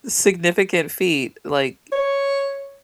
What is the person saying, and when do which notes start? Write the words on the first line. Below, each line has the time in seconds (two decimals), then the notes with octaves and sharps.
significant feat, like,
1.92 C#5